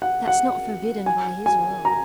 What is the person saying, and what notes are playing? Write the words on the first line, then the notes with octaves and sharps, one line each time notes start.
"That's not forbidden by his law."
F#5
F#5
G#5
G#5
A#5